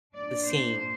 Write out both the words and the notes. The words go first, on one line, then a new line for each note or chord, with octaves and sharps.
the same
A#2 A#3 D4 D5
C5